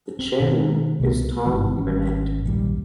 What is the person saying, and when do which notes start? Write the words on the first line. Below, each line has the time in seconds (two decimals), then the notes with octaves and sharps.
The Chairman is Tom Burnet.
0.19 C4
0.40 B2 D#3
1.00 C2 B2 A3 B3
1.45 G1 G#2 E3
1.76 G#1 C#4
2.45 A#1 D#2 G#2 G3